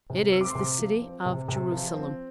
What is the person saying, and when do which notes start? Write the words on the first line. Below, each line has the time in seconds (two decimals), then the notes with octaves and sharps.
It is the city of Jerusalem.
0.10 C3
0.32 C4 E6
0.41 D6
0.50 C6
0.55 C3 D6
0.78 F3
1.02 C4
1.26 C3
1.48 C3
1.72 F3
1.94 C4